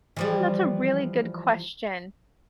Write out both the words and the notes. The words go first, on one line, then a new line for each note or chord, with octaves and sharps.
Hmm, that's a really good question.
E3 F3 G3